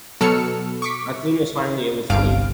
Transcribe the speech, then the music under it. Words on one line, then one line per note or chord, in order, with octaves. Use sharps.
Maclean was finally able to leave.
B2 F#3 A4 E6 F6 C#7
C#6 D6 B6
G1 C2 G2 F5 D7